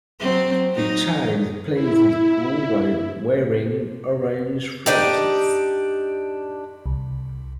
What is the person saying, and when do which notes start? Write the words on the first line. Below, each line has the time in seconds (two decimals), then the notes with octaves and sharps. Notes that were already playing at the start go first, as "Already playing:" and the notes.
A child plays in a pool while wearing orange floaties.
0.20 F#3 C4
0.71 F#3 D#4
1.74 E4
4.86 D4 D#4 G4
6.86 C2